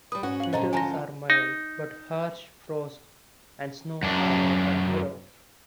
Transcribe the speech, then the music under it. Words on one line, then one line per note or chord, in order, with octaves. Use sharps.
Winters are mild, but harsh frost and snow are not unheard of.
G3 B4 D#6
G#2 C#4 F#4 F#5
F5 F#7
F#2 A#2 D3 C5 D#5 A#5
D3 F3 F4 G#5 A#5 A#6
D#4
F#2 D4